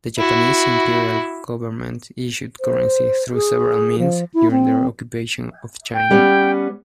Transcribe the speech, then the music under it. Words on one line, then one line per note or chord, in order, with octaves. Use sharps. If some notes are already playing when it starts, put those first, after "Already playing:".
The Japanese Imperial Government issued currency through several means during their occupation of China.
E4 F#4
C5
G#4
F3
E4
C4
G5
G3 B3 C#4